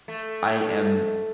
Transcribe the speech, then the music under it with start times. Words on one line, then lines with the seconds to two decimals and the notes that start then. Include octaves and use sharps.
I am
0.08 A3